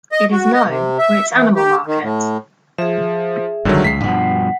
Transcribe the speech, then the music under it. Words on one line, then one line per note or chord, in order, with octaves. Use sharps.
It is known for its animal market.
D#5
F#4
D#5
C3
E5
E3
G4
D#3
A2
F3 G#4 E5
G1 C2 F2 D3 D#3 F#3
C#2 B6 C7
G2 B2 F3 F#5